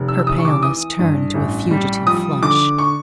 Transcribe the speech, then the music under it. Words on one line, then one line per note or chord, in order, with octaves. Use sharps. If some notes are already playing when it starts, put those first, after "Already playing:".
Her paleness turned to a fugitive flush.
Already playing: F1
E6
E6
E3 D#6
C#6
D6
E3 D#6
G2
A1
G3
F3 D#6
D3 D6
C#6